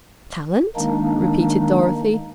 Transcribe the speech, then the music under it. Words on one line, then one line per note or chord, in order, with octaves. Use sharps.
"Talent?" repeated Dorothy.
D#3 G#3 A#3 D4 D#4